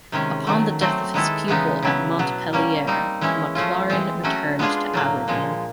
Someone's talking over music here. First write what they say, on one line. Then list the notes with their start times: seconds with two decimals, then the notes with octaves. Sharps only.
Upon the death of his pupil at Montpellier, Maclaurin returned to Aberdeen.
0.12 C3 D#3 G#3 C#4
0.47 D#3 F#3 A3
0.81 F#3 A3 C4
1.14 D#3 G#3 B3 E4 A4
1.48 C#3 E3 G#3 B3 D#4
1.83 C#3 F#3 B3 E4
2.19 B2 F#3 B3
2.53 G3 A#3 C#4
2.87 G3 C4 D#4
3.21 E3 G#3 C#4 E4
3.55 F3 A3 C#4 F4
3.90 E3 G#3 C4
4.24 F#3 A3 C#4 F#4
4.59 G#3 B3 D4 F4 G#4
4.93 A2 F#3 A#3
5.28 A#2 F3 G#3